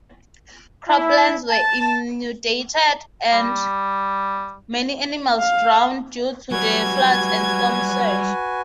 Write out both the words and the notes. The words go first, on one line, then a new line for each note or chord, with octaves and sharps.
Croplands were inundated and many animals drowned due to the floods and storm surge.
E4
A5
G3
F5
F#3 G3 F#4 B4 G#5 G#6